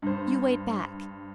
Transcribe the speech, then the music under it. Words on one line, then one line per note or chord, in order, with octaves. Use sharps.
You wait back.
G2 C5